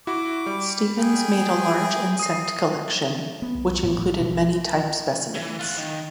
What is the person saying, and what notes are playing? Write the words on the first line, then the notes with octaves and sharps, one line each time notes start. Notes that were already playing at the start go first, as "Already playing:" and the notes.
Stephens made a large insect collection, which included many type specimens.
E4 F#4 D6
G3
G#4 G5
D#6 C7
B3
B1
A#1 A2
B2
E3
F4 F#5
D#3